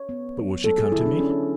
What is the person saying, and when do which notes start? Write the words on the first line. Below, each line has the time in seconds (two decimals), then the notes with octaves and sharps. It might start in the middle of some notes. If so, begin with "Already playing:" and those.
"But will she come to me?"
Already playing: C#5
0.09 B3
0.37 F#3
0.64 F#3 A4
0.78 G#4
0.92 D3 E4
1.05 D4
1.20 C#4